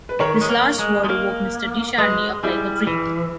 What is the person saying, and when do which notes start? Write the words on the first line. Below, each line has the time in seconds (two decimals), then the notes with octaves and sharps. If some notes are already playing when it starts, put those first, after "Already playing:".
This last word woke Mr. de Charny up like a dream.
0.09 B4
0.20 D#3 A#4 C#5
0.41 G#3
0.49 A#3
0.79 G#3
1.04 G#3
1.09 A#3
1.98 G#3 B4 D#5
2.43 G3 E4 G#4
2.87 E3